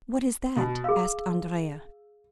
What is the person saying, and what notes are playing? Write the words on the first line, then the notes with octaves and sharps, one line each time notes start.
"What is that?" asked Andrea.
B2
G#4 F5 E6